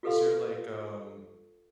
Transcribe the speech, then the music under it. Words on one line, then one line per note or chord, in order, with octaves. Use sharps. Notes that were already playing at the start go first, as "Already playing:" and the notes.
is there like, um,
F4 G4 A4 B4 F5 C6